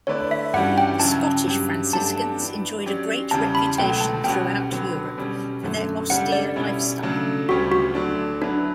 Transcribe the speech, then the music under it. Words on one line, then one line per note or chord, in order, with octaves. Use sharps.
The Scottish Franciscans enjoyed a great reputation throughout Europe for their austere lifestyle.
D3 A3 E4 B4 C#5 D5
E5
G2 E3 G3 C#4 F#4 F#5
G5
C#3 F#3 C#4 E4 A5
G2 F#3 C#4 G4
G2 F#3 A3 D4 G4 A5
E3 B3 D4
F#3 C#4 G4 D5
E2 C#3 E3 G3 C#4 A5
B5
C#2 B2 F#3 A3 G5
A5
B2 G3 C#4 F#4 G5
D3 F#3 B3
B2 G3 C#4
F#2 D3 F#3 A3 C#4
C#3 G3 D4 A4 F#5
D5
B2 G3 C#4 E4
C#3 F#3 A3 D4 A4
D2 C#3 G3 C#4 F#4 G4
F#4
D3 F#3 A3 D4
F#3 B3 D4 E4 B4